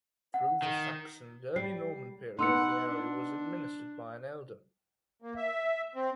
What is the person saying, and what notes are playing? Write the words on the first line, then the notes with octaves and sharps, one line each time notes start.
Through the Saxon and early Norman periods the area was administered by an elder.
F#5
D#3
G3 C7
B3 D#4 F#5 C6 E6 C#7
D4
A#3
E5
C4